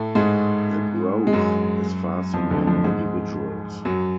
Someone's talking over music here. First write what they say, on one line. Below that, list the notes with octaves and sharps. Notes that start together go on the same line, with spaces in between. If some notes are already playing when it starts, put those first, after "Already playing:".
The growth is fast in young individuals.
Already playing: A2 A3
G#2 G#3
G#3
F#2 F#3
F2 F3
D2 D3
F2 F3
G#2 G#3
F#2 F#3